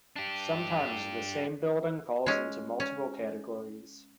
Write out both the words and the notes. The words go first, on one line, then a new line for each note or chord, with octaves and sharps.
Sometimes the same building falls into multiple categories.
D4 G4
G#3 C#4
C#4